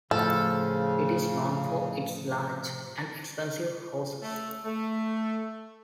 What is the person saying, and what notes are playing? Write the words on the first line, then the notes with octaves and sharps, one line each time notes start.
It is known for its large and expensive houses.
A2 C#3 F3 A4
A3
A3